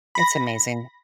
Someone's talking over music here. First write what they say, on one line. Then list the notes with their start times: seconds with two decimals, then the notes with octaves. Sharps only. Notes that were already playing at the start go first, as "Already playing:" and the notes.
It's amazing.
0.15 B5 A#6